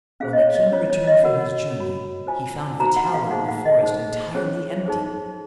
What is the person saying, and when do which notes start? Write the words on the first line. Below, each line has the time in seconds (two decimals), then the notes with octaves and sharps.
When the king returned from his journey he found the tower in the forest entirely empty.
0.20 C#4 G#4 C5 F5
0.33 D#5
0.38 C#5
0.55 D#5
0.72 C#4 F4 C5 C#5
0.90 C#5
1.07 D#5
1.24 F#4 A#4 C#5 F#5
1.76 F#4 C#5
2.27 F4 C5 G#5
2.79 D#4 F#4 C5 A#5
2.96 F#5
3.14 F5
3.31 D#4 G#4 C5 F#5
3.48 F#5
3.66 D#5
3.82 D#4 G#4 C5
4.35 C#4 G#4 C5 C#5
4.86 D#4 G#4 C5